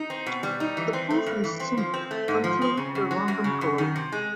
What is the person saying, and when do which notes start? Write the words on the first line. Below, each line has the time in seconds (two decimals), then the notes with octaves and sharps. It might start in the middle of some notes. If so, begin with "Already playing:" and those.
The proof is simple: Consider a random coloring.
Already playing: D#4
0.10 C4
0.26 B2
0.43 G3
0.60 D#4
0.77 E3
0.93 C4
1.11 A3
1.26 G2
1.44 E3
1.60 C4
1.77 F3
1.94 C4
2.11 A3
2.28 G#2
2.44 F3
2.62 C4
2.77 C#3
2.95 F#2
3.11 F#3
3.28 F#2
3.44 C#3
3.61 F#2
3.78 D#3
3.96 C3
4.12 G#3